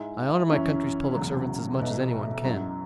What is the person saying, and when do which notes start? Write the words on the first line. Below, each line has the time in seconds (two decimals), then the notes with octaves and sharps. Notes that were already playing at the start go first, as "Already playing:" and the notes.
I honor my country's public servants as much as any one can.
Already playing: G#2 G#3 E4
0.51 F#2 E3 C#4
1.15 E1 E2 C#3 F#3
1.79 B1 B2 B3 E4
2.43 F#2 F#3 E4